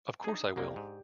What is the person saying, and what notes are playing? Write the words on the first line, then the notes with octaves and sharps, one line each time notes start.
Of course I will!
D4 D#4 G#4 D#6
C2 F#3 A#3 G4 D5
G#2